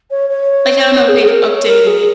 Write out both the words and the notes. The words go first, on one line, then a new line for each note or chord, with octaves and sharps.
Like, I don't know if they've updated it
C#5
C#5
G#4
G#4
A#4
C#5
A#4
G#4